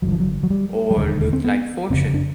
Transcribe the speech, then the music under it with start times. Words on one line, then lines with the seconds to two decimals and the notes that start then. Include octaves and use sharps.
Or looked like fortune.
0.02 G1 G2 D3 F#3
0.12 F3
0.20 F#3
0.43 F#3
0.50 G3
0.91 G3
0.96 E1 D#2 D3 G#3
1.33 C4
1.44 B3
1.90 F#1 F2 C#3 C4
2.14 D4